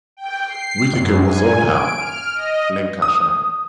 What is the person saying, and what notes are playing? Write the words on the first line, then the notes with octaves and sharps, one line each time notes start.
Whittaker was Oldham, Lancashire.
G5
C7
F#2
G#5
D7
F6
D#5
D#6